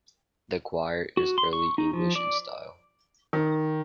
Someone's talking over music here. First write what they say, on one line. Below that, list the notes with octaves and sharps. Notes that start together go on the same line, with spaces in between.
The choir is Early English in style.
F#4
C6
C#6
D#4
F3
D5
D#3